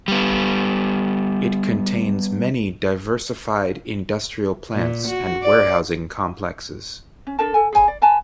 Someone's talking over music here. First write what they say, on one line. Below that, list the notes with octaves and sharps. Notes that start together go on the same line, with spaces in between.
It contains many diversified industrial plants and warehousing complexes.
G3 B3
A#2
F#4
D5
C#4
D4 A4 A#4 A5
A4 G#5
G#4 C#5 G#5 B5
D5
B4 G#5 A5 B5